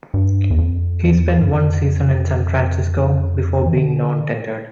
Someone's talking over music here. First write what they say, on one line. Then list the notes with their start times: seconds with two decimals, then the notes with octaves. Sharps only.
He spent one season in San Francisco before being non-tendered.
0.14 G2
0.51 E2
0.58 F2
1.04 E2
1.39 G2
1.48 F2
3.66 E3
3.74 D3